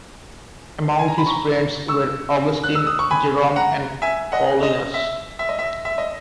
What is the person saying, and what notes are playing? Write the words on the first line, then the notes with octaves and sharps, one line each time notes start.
Among his friends were Augustine, Jerome, and Paulinus.
G#5
A#5
B5
A#5 C#6
C#6 E6
F#6
E6
D#6
C#6
G#5 B5
F#5 A#5
E5 G#5
D#5 F#5
D#5
E5
E5
D#5
E5
E5
D#5